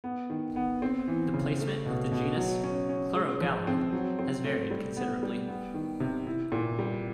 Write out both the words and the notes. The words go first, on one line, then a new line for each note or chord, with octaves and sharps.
The placement of the genus "Chlorogalum" has varied considerably.
B3
D#3
B3
C4
E3
C#3
A3
B2
B2
F#3
C#4
C#4
G#3
F3
C4
F#3
C4
A3
G3
B3
G3
B3
D#3
C3
E4
A#2
G3